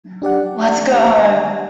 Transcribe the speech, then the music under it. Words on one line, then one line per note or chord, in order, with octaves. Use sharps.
Let's go home.
D4 G4 D5 F#5